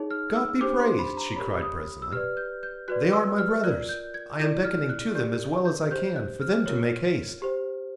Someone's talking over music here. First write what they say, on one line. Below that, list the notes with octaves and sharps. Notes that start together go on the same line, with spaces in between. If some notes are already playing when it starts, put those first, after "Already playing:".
"God be praised," she cried presently, "they are my brothers; I am beckoning to them, as well as I can, for them to make haste."
Already playing: D#4 G#4 C#5
F6
E6
D4 G4 C5 D6
C6
B5
A#5
G4 A#4 C#5 B5
D#6
E6
G4 B4 D5 F6
G6
G6
F#4 B4 D5 F#6
E6
F6
F4 A#4 D5 F#6
G6
G#6
E4 A4 D5 G6
F6
F#6
G4 A#4 D5 G6
G6
G4 C5 G6
F#6
F6
F4 A#4 C#5
G4 C5